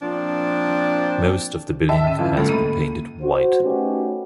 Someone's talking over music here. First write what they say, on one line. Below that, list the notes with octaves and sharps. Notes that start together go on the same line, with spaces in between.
Most of the building has been painted white.
A#2 F3 C4 D4
G#2 E5 G5 A5
D3 C#4
F2 E3 F4
C#2 A2 A4
A#3 B5 D#7
F#4 C5
A3 C#4 D#4 F#4 G4 B4